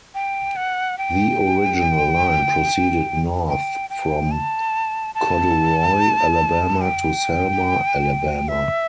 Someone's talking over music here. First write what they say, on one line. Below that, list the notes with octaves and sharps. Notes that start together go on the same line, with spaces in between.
The original line proceeded north from Corduroy, Alabama to Selma, Alabama.
G5
F#5
G5
G5
G5
A5
A5
G5
E5